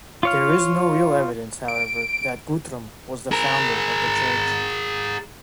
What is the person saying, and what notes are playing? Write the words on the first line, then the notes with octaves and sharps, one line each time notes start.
There is no real evidence, however, that Guthrum was the founder of the church.
F4 C#5 F5
D7
G#4 A#4